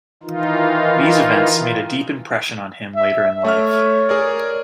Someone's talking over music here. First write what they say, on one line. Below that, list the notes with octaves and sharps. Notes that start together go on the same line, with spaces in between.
These events made a deep impression on him later in life.
D#3 E3 D#4 F4
E5
A3 C#5 E5 F6
G#4 A#4 D5